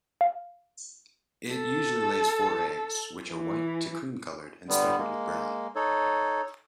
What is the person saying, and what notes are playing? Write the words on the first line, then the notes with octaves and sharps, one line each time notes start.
It usually lays four eggs, which are white to cream-colored and speckled with brown.
F5
A4
E3
D3 G3 B3
G#3 A#3
D#4 A4 C#5